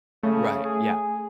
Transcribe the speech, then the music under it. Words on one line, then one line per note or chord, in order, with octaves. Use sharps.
Right, yeah.
C#3 A3
G#4